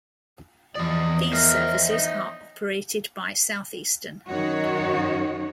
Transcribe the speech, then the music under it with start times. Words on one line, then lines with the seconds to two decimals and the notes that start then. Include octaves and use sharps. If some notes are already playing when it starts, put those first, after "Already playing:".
These services are operated by Southeastern.
0.75 E2 E3 F3 D5 D#5
1.33 A#4 C5 D#5 E5
1.90 D#4
4.30 F#2 D#3 D#4 F#4 C#5